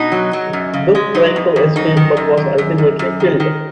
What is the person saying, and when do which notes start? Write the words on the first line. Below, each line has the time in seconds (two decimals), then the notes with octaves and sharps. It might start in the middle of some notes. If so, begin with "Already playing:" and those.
Book tried to escape, but was ultimately killed.
Already playing: B2 D#4
0.12 F#3
0.33 F#3
0.53 F#2
0.74 C#3
0.95 G#3
1.15 F#3 D#4
1.36 F2
1.56 F2
1.76 F#2 D#4
1.97 D#3
2.17 F#2
2.37 F#2
2.58 F#2
2.78 F#2
2.99 F#2
3.20 D#3
3.40 D#3